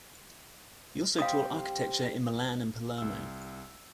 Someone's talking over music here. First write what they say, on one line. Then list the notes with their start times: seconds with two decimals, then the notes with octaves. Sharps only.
He also taught architecture in Milan and Palermo.
1.19 G3 C4 F5 D#6
2.98 C2 E6